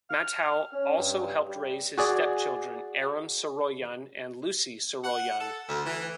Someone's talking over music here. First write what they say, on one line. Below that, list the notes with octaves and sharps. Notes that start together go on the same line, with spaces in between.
Matthau also helped raise his stepchildren, Aram Saroyan and Lucy Saroyan.
F6
C#4
G2
G3
F#4 G#4 D5
F#5
A4
D2
E3